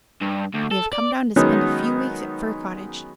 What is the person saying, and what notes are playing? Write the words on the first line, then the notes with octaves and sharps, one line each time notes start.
We have come down to spend a few weeks at Fir Cottage.
G2
D2
A4
D5
D#3 F#3 G#3 B3 C#4 D#4